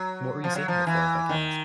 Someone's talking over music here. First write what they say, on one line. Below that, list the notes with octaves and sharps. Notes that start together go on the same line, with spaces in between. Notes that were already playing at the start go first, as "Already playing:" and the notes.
What were you saving it for, if I could ask?
Already playing: F#3
F3
F#3
F3
E3
D#3